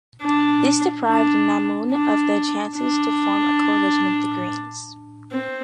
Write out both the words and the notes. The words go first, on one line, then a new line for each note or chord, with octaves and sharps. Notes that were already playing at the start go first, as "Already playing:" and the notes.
This deprived Naumann of the chances to form a coalition with the Greens.
D4
D4
D4
D4
C4